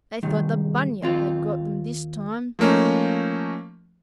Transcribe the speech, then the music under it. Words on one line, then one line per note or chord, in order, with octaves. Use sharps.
They thought the Bunyip had got them this time.
C2 G#2 D#3
D#2 C4 F4
F3 A3 A#3 C#4 D#4